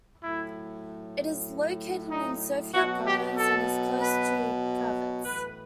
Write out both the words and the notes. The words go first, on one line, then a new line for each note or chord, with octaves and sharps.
It is located in Sofia Province and is close to Pravets.
A2 F#3 E4
D#4
B2 F#3 F#4
G4
A4
B4
A2 E3 B4